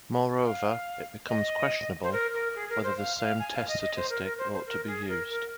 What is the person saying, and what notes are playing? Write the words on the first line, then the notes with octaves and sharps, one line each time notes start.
Moreover, it becomes questionable whether the same test statistic ought to be used.
F5
D#5
C5
A#4
A#4
G#4
A#4
C5
F5
F5
G#5
F5
D#5
D#5
C5
A#4
A#4
C5
C5
A#4
G#4
A#4
A#4